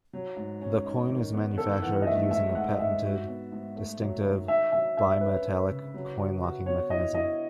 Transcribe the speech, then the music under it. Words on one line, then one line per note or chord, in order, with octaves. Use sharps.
The coin is manufactured using a patented distinctive bimetallic coin-locking mechanism.
F#3
G#2
C#4
D#4
D#3
B3
D#3 A4
E2 F#5
D#5
A3 E5
G#3 E5
G#2 F#5
D#5
G#2 E5
F#4
B3
G#2
A3
F#3
D#3
D#4 E5
F#3 E5
G#2 E5
C#4 B4
C#4
C#3
F#3
F#4
F#4
B3 C#5
E4 D#5
E4 D#5